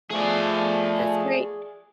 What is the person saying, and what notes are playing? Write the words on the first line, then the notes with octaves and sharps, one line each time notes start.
That's great.
F3 A3 G#4 D5